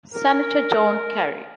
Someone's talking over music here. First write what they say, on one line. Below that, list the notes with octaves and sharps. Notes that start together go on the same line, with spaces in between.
Senator John Kerry.
A#4